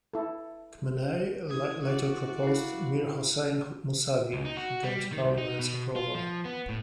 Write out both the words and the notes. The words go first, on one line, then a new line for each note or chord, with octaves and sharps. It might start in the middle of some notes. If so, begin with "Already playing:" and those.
Khamenei later proposed Mir-Hossein Mousavi, who gained Parliament's approval.
E4 A4
A2 D#6 G#6
F#4 D5
E4 F5
C#2
D#4
F#4
G3
D#3
C2
D#4
B2
F4
F3
B3
A2